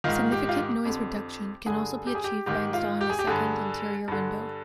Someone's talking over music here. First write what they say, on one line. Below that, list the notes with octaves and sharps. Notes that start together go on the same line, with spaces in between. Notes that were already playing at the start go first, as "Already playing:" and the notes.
Significant noise reduction can also be achieved by installing a second interior window.
G#2 D#3 F4
G4
F4
G4
F2 D3
G2 D3 G#4
G4
G#4
G4
G#2 D#3 G4
F4
G4
G#4
G4
G2 D3 G#4
G2 D3